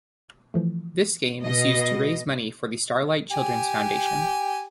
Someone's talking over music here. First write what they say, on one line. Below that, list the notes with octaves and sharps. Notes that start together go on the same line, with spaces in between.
This game is used to raise money for the Starlight Children's Foundation.
E3 F3 A3
B2 D#5
G#3
G4 G#5